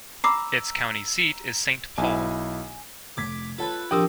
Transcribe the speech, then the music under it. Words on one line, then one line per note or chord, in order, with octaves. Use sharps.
Its county seat is Saint Paul.
A#5 B5 D6 E6 C7
B1 E4 G#5
F1 D6 G#6 B6
F4 A4 B4 C#5 A5
A#1 C3 D4 G4 A#4 G5 D#6 E6